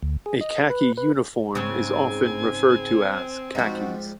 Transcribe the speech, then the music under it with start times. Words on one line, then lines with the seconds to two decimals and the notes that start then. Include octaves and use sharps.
A khaki uniform is often referred to as khakis.
0.03 D2
0.26 G#4
0.41 D#5
0.70 B4
0.97 B4
1.55 G#2 C#3 C4 G#5
3.55 G#2 F3 G3 D#4 F#4